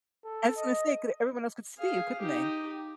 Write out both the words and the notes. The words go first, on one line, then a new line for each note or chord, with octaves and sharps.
I was gonna say 'cause everyone else could see you, couldn't they?
A4
D#5
G#4 F5
D#4 G4